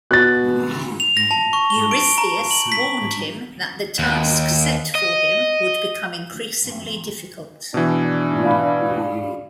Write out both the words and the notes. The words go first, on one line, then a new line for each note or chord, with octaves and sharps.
Eurystheus warned him that the tasks set for him would become increasingly difficult.
B2 F#6 A6
F7
A#6
A5
C#6
G7
D7
A#5
F#7
B6
D#2
D#5
B2 E3 D4
D5 F5 B5